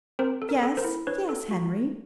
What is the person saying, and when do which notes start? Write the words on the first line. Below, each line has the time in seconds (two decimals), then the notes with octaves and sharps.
"Yes--yes, Henry?"
0.19 C4 A#4 C5
0.42 A4
0.49 A#4
0.63 A4
0.77 A#4 C5
0.84 E4
1.07 D4 B4 C#5
1.29 A4
1.51 F#4